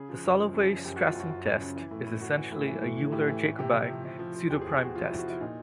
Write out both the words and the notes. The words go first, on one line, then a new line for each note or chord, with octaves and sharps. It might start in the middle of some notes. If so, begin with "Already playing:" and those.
The Solovay-Strassen test is essentially a Euler-Jacobi pseudoprime test.
Already playing: C#3 G#4
F3
F#2
F3
F#2
F3
F#2 G4
F#4
F#2
F4
F#2 F#4
F#2 F4
F#2
C#3
E3
A2
A2
A2 F#4
E3
A2
E3
A2
E3
A2 G4
E3
A2
C3 G4
C3
F3
C3
F3
F3
E2 G4
G#4
E2
G4
E2 F#4
F3 F4
E4
F3
F#4
F3 E4
A#2 D#4